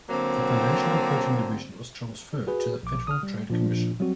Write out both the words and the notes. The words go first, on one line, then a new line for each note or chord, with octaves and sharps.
The Financial Reporting Division was transferred to the Federal Trade Commission.
D3 F#3 A#3 C4
F#4 G#4 B4
A#1 D6
D#6 F6
G3
A#2 F3 D4
F#3 G3 C4 F#4